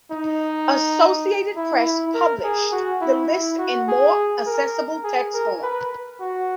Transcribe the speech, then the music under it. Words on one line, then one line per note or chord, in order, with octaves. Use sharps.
Associated Press published the list in more accessible text form.
D#4
E4
E4
A#4
G#4
F#4
E4
E4
F#4
G#4
A#4
G#4
A#4
B4
F#4